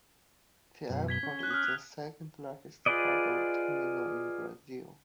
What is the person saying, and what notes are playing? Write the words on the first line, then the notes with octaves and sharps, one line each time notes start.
The airport is the second largest cargo terminal in Brazil.
F#2 B2
G#6 B6 G7
C#4
F#6 G7
D#6 F6
F#6 F7
F4 G#4 B4 D5 D#5